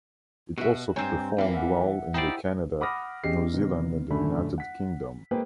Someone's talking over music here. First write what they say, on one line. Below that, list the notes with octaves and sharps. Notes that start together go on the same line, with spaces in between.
It also performed well in the Canada, New Zealand and the United Kingdom.
B2 F#4 E5
B1 G2 C4 C#5 G#5 A#5 G6
E2 E3 A#3 C4 F5
E5 F#5
D#4 E4 G4 C5 D5
F#5 B5 D6 D#6 F6 A#6
C#4 G4 G#4 D#5 C7
C3 D#3 B3
D#1 F#2 D3 A3 D4 B5
F#5 B6
G#3 A#3 G#4 B4 C5 G5